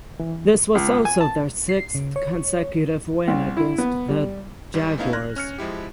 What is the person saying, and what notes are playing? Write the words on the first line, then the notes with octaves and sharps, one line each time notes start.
This was also their sixth consecutive win against the Jaguars.
E3
C#2
G#5
A5
C7
C#3
C#5
C2
E4
B3
G3
G#2 E3 G3
A3 B3 C#4 D#4 E4 F5
F6 F#6 G#6 A#6
C#4 F6 C#7
F3 G#3 E4 G4